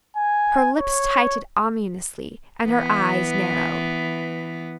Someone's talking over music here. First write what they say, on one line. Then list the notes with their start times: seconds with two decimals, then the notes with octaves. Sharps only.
Her lips tightened ominously and her eyes narrowed.
0.16 G#5
0.78 C#5
2.64 E3 B3